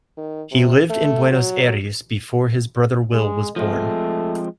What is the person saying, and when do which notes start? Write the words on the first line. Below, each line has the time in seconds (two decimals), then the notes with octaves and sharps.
He lived in Buenos Aires before his brother Will was born.
0.17 D#3
0.51 C3
0.90 A3
1.31 F#3
3.12 G#3
3.56 F3 G#3 A3 C4